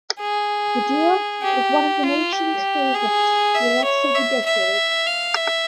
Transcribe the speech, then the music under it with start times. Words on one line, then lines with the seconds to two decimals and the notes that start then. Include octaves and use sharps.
The duo was one of the nation's favorites for the rest of the decade.
0.20 G#4
1.42 G4
2.03 F4
2.32 G4
2.94 G#4
3.55 E5
3.84 C#5
4.15 E5
4.46 E5
5.07 F5
5.37 E5